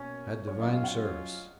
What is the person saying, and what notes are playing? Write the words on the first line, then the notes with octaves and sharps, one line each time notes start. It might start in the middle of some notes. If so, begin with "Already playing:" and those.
Had Divine Service.
Already playing: B2 A#3 C#4
F#3 C#4 F4 C#5
D#5
F5
F#5